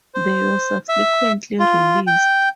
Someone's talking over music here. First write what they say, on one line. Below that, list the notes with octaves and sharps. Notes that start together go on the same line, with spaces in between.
They were subsequently released.
C5
E5
F4
G5